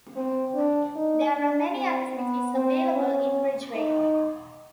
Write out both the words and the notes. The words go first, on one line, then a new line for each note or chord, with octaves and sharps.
There are many activities available in Ridgway.
C4
D4
D#4
D4
C4
B3
C4
C#4
D#4